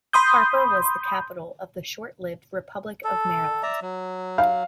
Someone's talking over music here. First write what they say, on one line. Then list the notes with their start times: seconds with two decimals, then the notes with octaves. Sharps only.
Harper was the capital of the short-lived Republic of Maryland.
0.13 B5 C6 D#6 G6
3.04 A4
3.63 D5 E5 A#5
3.82 F#3
4.38 F5